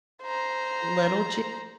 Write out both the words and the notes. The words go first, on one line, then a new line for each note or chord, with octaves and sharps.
Little J
C5 A#5